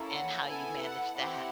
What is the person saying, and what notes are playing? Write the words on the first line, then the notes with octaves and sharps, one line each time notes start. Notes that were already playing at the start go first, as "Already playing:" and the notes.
and how you manage that,
Already playing: A#3 C#4 E4 A4
F#5
B3 E4 A4 G#5
F#5
C4 E4 G4 F#5